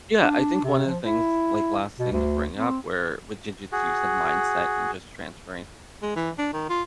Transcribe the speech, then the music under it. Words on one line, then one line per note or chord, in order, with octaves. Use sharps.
Yeah, I think one of the things like, last thing to bring up, where with jujitsu, you said mindset, and just transferring
D4
C3
F3
E4
B2
D2
C4
F#4 G#4
G#3
E3
D4
D#3
F4